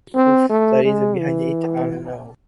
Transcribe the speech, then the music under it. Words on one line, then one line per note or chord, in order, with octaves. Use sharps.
The reasons behind it are unknown.
C4
A3
G#3
E3